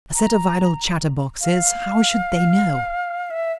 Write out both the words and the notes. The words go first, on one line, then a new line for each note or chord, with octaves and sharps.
A set of idle chatterboxes, how should they know!'
A#5
F5
E5